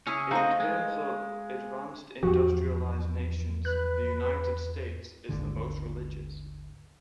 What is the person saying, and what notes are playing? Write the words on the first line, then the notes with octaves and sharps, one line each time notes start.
In terms of advanced industrialized nations, the United States is the most religious.
C#3 C#4 E4 G#4
A3 C4 D#4 F#4 C5 D#5 F5 A#5
G#3
E2 G#2 F3 F#4 G4
B4 F#6
G#1 D#2 G#2 D3